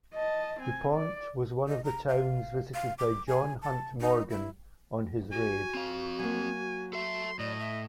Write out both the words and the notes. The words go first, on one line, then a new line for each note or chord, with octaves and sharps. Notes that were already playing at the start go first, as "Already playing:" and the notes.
Dupont was one of the towns visited by John Hunt Morgan on his raid.
D#5 A5
C4 G#5
D5
D#5
A#5
F5
F5
D6
G#5
A5
D#4
E4
F#4 G#5
C4 F5
F#3 A#3 G#5
A4 E5 C6
A2 D5 D#5
E5